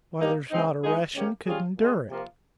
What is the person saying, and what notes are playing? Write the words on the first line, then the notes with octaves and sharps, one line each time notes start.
"Why, there's not a Russian could endure it!"
G2 G3 A#3 D#4 G4
C#3 G#3 C4 D#4
F3 G#3 D#4 G#4
G#2 D#3 A#3 C#4 G4
G3 C#4 F4 G#4
A#2 G#3 C4
C3 F3 A#3 F4